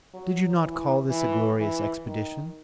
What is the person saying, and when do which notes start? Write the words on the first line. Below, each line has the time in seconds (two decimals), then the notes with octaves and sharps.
Did you not call this a glorious expedition?
0.14 F#3
0.61 E3
1.10 E3
1.58 E3
2.06 D#3